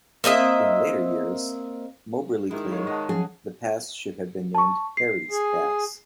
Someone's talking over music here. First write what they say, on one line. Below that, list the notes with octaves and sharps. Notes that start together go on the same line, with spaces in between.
In later years, Moberly claimed the pass should have been named Perry's Pass.
A#3 C4 D#5 E5
D#3 G#3 E4
C#5 F5
D#5 F#5 A5
F3 F#3 C#4 G#4
A5 C#6
C7
G#4